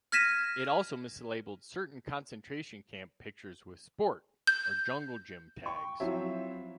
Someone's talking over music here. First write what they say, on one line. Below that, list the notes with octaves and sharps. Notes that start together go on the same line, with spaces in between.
It also mislabeled certain concentration camp pictures with "sport" or "jungle gym" tags.
F6 G#6 A#6 B6 D#7 E7
G6
G5 C#6
F3 F#3 C4 E4 C#5 E5